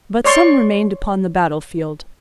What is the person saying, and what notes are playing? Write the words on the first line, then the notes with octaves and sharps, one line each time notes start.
But some remained upon the battlefield.
C#5 D5 C6 C#6